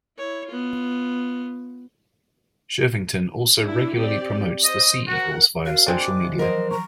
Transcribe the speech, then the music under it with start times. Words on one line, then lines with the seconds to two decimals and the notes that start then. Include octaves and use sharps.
Shirvington also regularly promotes the Sea Eagles via social media.
0.17 E4 C#5
0.47 B3 F4
3.64 D4 E4
3.95 C4 G4 D5
4.65 C5 D#5
5.08 F#4 A#4 F#5
5.66 F#4 A#4 F5
5.86 G#3 C4 D4
6.00 D6
6.21 E3 F3
6.39 F#3 A#4 C5 D#5
6.71 A#5 C#6